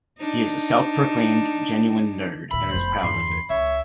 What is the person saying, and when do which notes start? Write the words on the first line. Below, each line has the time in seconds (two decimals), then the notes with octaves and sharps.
He is a self-proclaimed "Genuine Nerd," and is proud of it.
0.19 D4 D#4
2.51 D2 A2 E5 B5
2.72 F1 B3 C5
3.03 E2 G2 C6
3.50 C#2 C#5 E5